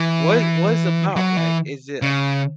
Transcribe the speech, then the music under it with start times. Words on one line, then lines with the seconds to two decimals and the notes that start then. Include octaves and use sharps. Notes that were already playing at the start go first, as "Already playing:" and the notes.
What what it's about, like, is it
Already playing: E3
1.16 F#3
1.37 E3
2.02 C#3